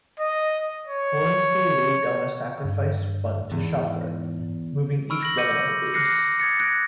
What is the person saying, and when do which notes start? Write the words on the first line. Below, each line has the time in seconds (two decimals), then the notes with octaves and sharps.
Hornsby laid down a sacrifice bunt to Shocker, moving each runner up a base.
0.20 D#5
0.87 C#5
2.65 G2
3.52 E2 G#2
5.10 B5 C#6 E6 F6 D7
5.22 A#6 F#7
5.37 D6 G6 A#6 C#7 D#7
5.94 D6 F6 F#6 A#6 C7 C#7
6.40 D#6 G#6 A6 C#7
6.60 D#6 F#6 G#6 A#6 C#7 D7